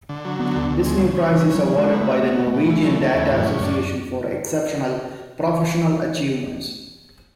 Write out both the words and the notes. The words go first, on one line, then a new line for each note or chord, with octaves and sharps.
This new prize is awarded by the Norwegian Data Association for exceptional professional achievements.
D3
F#3
D3 B3
D2
D2
G#3
C#3
C#4
C#3 E3
C#4
F#3
C#3
F#3 G#3
B3
A3
F#4
B3 F#4
B2
A3
B2
E3 A3
F#3 A3
D3 A3
E2 E3
A2
F#2
C#4
F#2 D4